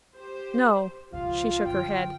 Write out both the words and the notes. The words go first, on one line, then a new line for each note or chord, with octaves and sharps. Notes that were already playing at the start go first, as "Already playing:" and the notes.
"No." She shook her head.
G4 C5
C#2 B2 F3 F4 F5
F#2 D3 G5